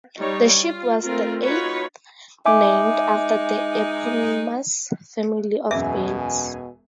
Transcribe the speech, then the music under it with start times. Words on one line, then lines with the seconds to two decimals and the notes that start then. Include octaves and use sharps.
The ship was the eighth named after the eponymous family of birds.
0.18 G3 D#4 C#5
0.62 F4
1.02 A3 C4 F4 A#4
1.41 D#4 F4 F#4 B4 C#5
2.46 G#3 D#4 E5 G#5 D6
5.71 E1 F#2 B2 E5 G#5